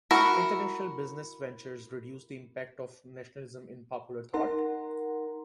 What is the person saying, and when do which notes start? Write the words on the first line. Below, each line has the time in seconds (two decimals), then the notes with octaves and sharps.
International business ventures reduced the impact of nationalism in popular thought.
0.11 E4 F#4 A#4
4.34 D#4 A#4 F#5 A#5 C6